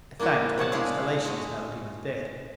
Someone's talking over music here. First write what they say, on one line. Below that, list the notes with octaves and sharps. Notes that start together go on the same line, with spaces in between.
I thanked my constellations now that he was dead.
A#3 D4 E4 F#4
C3 C#5 F#5 A5
G#3 D4 E4 G#4 F5
G#3 F#4